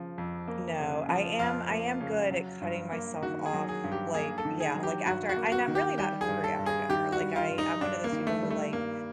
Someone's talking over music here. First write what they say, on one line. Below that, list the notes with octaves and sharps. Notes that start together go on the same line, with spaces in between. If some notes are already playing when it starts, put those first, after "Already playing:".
No, I am I am good at cutting myself off. Like yeah, like, after and I'm really not hungry after dinner. Like, I I'm one of those people who, like,
Already playing: C#3 F3
F2
A#3
C#3
F3
F2 F4
A#3
C#3
F#3
G2
A#3
D#3 F#4
G#4
F#3
G#4
G2
G4
A#3 G#4
A4
D#3
G#4
F#3
G4
G2 F#4
F#4
A#3
F#4
D#3
G4
G3 G4
G#4
G2
A4
G2
G#4
D#3 G4
F#4
G3
F4
G2
D#4
G2 D4
A#3
D#3
A3
G3
A3
G2 A#3